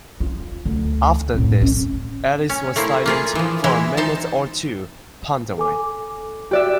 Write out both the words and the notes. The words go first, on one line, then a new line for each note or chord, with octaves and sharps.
After this, Alice was silent for a minute or two, pondering.
F4
D2
F2 A2
C#4
C#4
A3 A#3 C4 E4
A#3 F4 G#4
E3 F3
E3 G#3 E4
D#4 C5 A5
A4 G#5 D6
F#4 G4 D5 E5 F#6